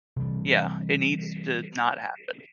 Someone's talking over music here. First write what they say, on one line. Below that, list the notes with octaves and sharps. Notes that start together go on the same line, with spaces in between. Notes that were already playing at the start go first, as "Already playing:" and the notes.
yeah, it needs to not happen.
C3 E3 G3